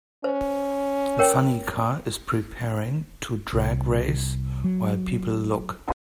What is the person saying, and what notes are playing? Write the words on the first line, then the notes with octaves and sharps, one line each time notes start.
A funny car is preparing to drag race while people look.
C#4 C5
A#4 C#5 G5
C2
F#3